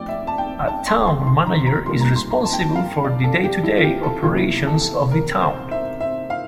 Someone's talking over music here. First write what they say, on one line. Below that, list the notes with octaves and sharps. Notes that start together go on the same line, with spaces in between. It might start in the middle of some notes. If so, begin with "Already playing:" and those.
A Town Manager is responsible for the day-to-day operations of the town.
Already playing: F2 A3 D5 G5
E5
A5
G5
A5
C6
C6
C6
A#5
A#5
A#2 G3 A#3 C6
A#5
C6
A#5
A5
G5
A5
F5
D5
A4
G4
E4
F4
G4
A4
E2 C3 E3 A#3 F4
E4
A4
A4
A#4
C5
E5
E5
F5